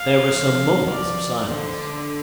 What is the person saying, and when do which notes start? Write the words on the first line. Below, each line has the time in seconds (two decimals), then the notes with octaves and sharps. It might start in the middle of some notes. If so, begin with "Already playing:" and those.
There were some moments of silence.
Already playing: F5
0.30 F3
0.88 D5
1.48 D3 C5
1.77 D5